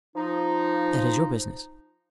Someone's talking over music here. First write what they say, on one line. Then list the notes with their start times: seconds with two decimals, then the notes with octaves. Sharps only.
"That is your business."
0.16 F3 D#4